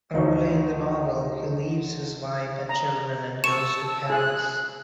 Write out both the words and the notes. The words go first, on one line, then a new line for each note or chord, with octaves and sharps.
Early in the novel, he leaves his wife and children and goes to Paris.
D2 D#4 F#4 C#5
A#5
A5 C#6 E6 E7
G#4 F#6